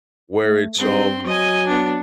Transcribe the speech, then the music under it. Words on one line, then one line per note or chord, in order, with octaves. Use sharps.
where it's, um
A3
G2 C4 C6
F#3 D#5 G#5
B3 D4